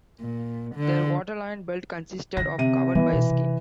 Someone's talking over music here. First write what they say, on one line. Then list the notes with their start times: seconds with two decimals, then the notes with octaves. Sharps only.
Their waterline belt consisted of covered by a skin.
0.21 A#2
0.76 D3
2.37 D3 E3 A#6
2.58 C3 D#7
2.95 D3 E3 B3
3.13 B2
3.30 C3